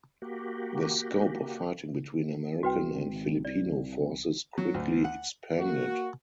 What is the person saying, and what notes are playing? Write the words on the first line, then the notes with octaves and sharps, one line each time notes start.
The scope of fighting between American and Filipino forces quickly expanded.
A#3 F#4 G4
C2 F#4 B4 G5
G#1
C2 D5
F#3
D2
F#5
A#3 F#4